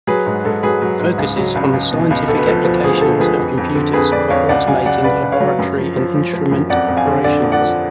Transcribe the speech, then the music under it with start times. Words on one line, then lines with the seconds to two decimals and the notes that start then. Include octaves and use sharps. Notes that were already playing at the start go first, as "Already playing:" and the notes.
It focuses on the scientific applications of computers for automating laboratory and instrument operations.
0.07 F#3 G#4 B4
0.26 G#2
0.45 G#2 A4
0.63 F#3 G#4 B4
0.82 F#3
0.99 G#2
1.18 C#2
1.37 F#3
1.55 C#2
1.73 C#2
1.92 B2
2.10 C#2
2.28 D2 A4
2.38 B4
2.47 F3 A4
2.65 F3
2.83 D2 G#4
3.01 D3 A4
3.20 F3 G#4 B4
3.39 F2
3.57 F2
3.75 D3
3.93 F2 G#4 B4
4.12 F2 B4 D5
4.30 F2 C#5 F5
4.49 C#2 D5 F#5
4.67 F#3 F5 G#5
4.85 C#3 D5 F#5
5.04 C#2 B4 D5
5.22 C#2
5.32 C#5 F5
5.40 F#3
5.59 F#2
5.77 F3
5.97 F3
6.15 F3
6.33 F3
6.51 F#2
6.69 F2 D5 F#5
6.88 F2
6.97 F5 G#5
7.07 D3
7.24 D3 D5 F#5
7.43 F2
7.52 D5 F#5
7.61 F3